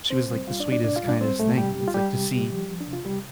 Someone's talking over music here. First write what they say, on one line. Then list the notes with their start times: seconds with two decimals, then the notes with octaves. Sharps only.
she was, like, "the sweetest, kindest thing," and it's like, to see,
0.10 C3 C4 C5
0.29 G3
0.47 G3 F4 F5
0.60 D4 D5
0.66 C3
0.72 D4 D5
0.84 A2 D4 D5
0.96 F4 F5
1.03 G3
1.08 D4 D5
1.21 G3 C4 C5
1.39 A2 A3 A4
1.58 C3 G3 G4
1.76 G3
1.88 F4
1.94 G3 G4
2.14 C3
2.31 C3
2.50 F3
2.68 F3
2.80 D4
2.87 C3
2.93 F4
3.05 C3 G3 G4